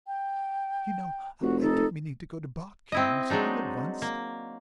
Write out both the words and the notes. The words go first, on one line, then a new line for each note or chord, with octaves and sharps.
"You know, I kept meaning to go to Botkin's, and all at once...."
G5
F1 F#4
D#4 A4
C4 E4 D#5
F#3 G#3 D4 D#4
A#3